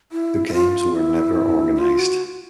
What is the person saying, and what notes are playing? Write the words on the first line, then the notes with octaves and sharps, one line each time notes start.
The games were never organized.
E4
E4
F4
E4
F4
F#4